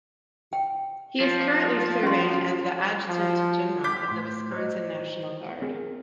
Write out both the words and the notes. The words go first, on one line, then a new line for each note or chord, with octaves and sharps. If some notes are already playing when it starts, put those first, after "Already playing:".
He is currently serving as the adjutant general of the Wisconsin National Guard.
G5
F3
C#4 C6
F3
D6 G6 B6
A2 C6
C5 D#5
C4 G#4 A#4